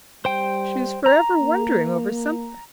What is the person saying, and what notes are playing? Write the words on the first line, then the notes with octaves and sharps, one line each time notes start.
She was forever wondering over something.
G3 C5 G5
A#5
A#3